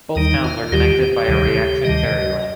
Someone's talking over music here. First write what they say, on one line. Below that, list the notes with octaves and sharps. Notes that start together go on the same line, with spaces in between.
Both towns are connected by a reaction ferry link.
D#2 D#3 G3 D#4
F4
D#2 D#3 G3 G4
D2 C3 D#3 G3
D2 C3 D#3 G3 D#5